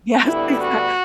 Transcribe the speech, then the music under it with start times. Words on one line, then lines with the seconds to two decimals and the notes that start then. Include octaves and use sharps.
Yes, exact
0.25 D2 D3 G3 B3 E4
0.59 F#4